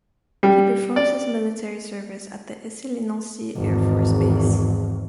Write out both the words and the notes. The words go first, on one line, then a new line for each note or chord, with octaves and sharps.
He performs his military service at the Essey lès Nancy Air Force Base.
G3
D5
G#1 E2